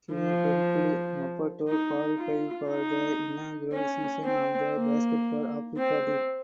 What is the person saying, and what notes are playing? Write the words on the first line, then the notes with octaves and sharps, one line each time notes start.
He helped Maputo qualify for the inaugural season of the Basketball Africa League.
F3
D#4
F4
D#4
C#4
C4
A#3
C4